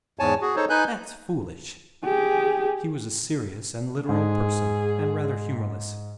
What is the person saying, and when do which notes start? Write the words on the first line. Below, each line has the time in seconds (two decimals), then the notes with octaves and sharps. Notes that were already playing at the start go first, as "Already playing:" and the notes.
"That's foolish." He was a serious and literal person, and rather humorless.
0.19 E2 G#2 C#5 G#5 A5
0.41 F#4 G#4
0.56 D#4 A4 C5 C#5
0.70 D#4 B4 G#5 F#6 G6
2.04 G4 G#4
4.09 G#2 G#4